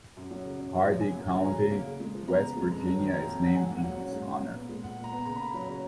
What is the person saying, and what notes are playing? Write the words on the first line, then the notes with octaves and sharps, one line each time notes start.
Hardy County, West Virginia is named in his honor.
F#2
F#3
C#3
C#4
F#2
F#3
C#3 G#5
A#3
F#3 A#5
C#3 G#5
C#3
A#3
C#3
G#3
F3
B3 A#5
C#3
G#3
F2 A#5
F#3
D#3
A#3 A#5
F2
F#3 F#5
G#2 G#5
A#3
F#5
F#3
C#4
G#2
A#3
A#2
B3
G#3
A#2 F#5
A#2
A#5
B3
C#3 A#5
A#3 B5
F#3 A#5
C#3 C#5